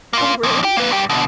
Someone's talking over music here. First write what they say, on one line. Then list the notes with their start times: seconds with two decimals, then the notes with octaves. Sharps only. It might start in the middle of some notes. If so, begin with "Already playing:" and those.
Oh, really?
0.13 A#3 F4
0.43 F2 A#2
0.63 G4 G5
0.76 A#3 B4
0.91 G2 G4
1.10 B2 D3